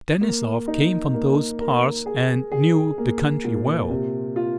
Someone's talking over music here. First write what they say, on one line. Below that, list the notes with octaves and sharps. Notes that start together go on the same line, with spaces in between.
Denisov came from those parts and knew the country well.
A#3
D#4
A#3
A#4
G#4
G#4
A#3
A#2
C3
F4